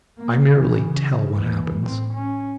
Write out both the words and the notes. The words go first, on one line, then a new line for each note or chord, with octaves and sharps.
I merely tell what happens.
A#3
C3 E3
C#3
D#2 E3
A2 C4
C#4